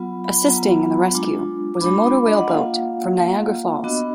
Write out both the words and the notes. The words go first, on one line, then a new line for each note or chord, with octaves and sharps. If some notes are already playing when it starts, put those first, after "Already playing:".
Assisting in the rescue was a motor-whale boat from Niagara Falls.
Already playing: F#3 B3 F4
B5
B5
F#3 B3 F4 A#5
G#3 D4 F4
D6
G#3 D4 F4 B5
B5
D#5
F#5
A#3 F4 F5
A#3 F4
B3 D4 F#4 D#5